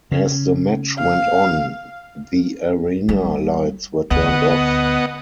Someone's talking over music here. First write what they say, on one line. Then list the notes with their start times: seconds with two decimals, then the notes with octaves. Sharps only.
As the match went on, the arena lights were turned off.
0.12 C#3
0.99 F5
3.09 G3
4.11 D2 B3 D#5 F#5